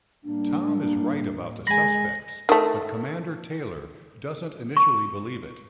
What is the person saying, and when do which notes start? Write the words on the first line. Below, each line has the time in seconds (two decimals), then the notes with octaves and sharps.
Tom is right about the suspects, but Commander Taylor doesn't initially believe it.
0.24 A2 G3 A#3 D4
1.67 G#3 G#5 B5 A#6
2.49 D#3 A3
4.77 C#6